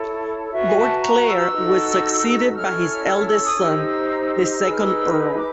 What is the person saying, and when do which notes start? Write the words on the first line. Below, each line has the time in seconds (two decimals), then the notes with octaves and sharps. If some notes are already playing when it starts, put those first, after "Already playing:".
Lord Clare was succeeded by his eldest son, the second Earl.
Already playing: E4 A4 C#5
0.51 F#4 B4 E5
0.68 G#5
0.76 A5
1.01 A#5
1.27 E6
1.52 D#4 F#4 A4
2.55 C#4 E4 A4 F6
3.06 E6
3.16 F6
3.25 E6
3.46 D#6
3.57 D#4 G4 C5 E6
4.60 D#4 G#4 B4 E6
4.73 F6
4.86 E6
5.35 D6